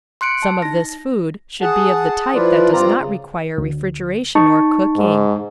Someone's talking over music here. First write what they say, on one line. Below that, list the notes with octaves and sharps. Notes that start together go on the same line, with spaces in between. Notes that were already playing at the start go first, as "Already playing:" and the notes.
Some of this food should be of the type that does not require refrigeration or cooking.
C6 F#6 C#7 D7
A5
D#4 A#6
G#4 F#5 A5
F3 E4 F4 B4 D5
G2 C4 F4 D5 A#5
C#3
D2
D#4 A5 C#6
G#2